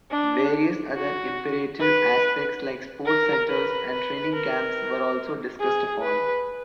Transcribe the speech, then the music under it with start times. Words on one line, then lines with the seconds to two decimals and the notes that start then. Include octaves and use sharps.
Various other imperative aspects like sports centres and training camps were also discussed upon.
0.11 D4
0.95 F#4
1.80 B4
3.06 A#4
3.49 B4
3.90 B4
4.33 A#4
5.59 G#4
6.02 B4